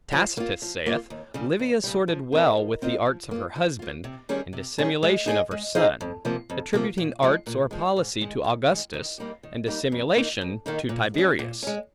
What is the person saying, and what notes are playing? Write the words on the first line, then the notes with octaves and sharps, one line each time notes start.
Tacitus saith, Livia sorted well with the arts of her husband, and dissimulation of her son; attributing arts or policy to Augustus, and dissimulation to Tiberius.
F3
A#3 F4
F3
A#3 F4
D#2
C#3 G3
D#2
C#3 G3
F3
C4 F4 A#4 D#5
F3
C4 F4 A#4 D#5
F3
A#3 F4
F3
A#3 F4
C3
D#3 G3 C#4 G#4
C3
D#3 G3 C#4 G#4
G#3
D#4 G#4 C5 D#5
G#3
D#4 G#4 C5 D#5
F2
C3 F3 A#3
F2
C3 F3 A#3
A#2
F3 G#3
A#2
F3 G#3
G#2
D#3 G#3
G#2
D#3 G#3
D#3
G3 A#3 D#4 G4
D#3
G3 A#3 D#4 G4
F2
D#3 A#3 D#4
F2
D#3 A#3 D#4
A#2
G#3 C#4
A#2
G#3 C#4